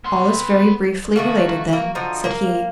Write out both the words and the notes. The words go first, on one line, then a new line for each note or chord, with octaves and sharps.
"All is very briefly related, then," said he.
B3 C6
D#3 A3 A#3 F#4
A#3
D3 F3 D#4
A#3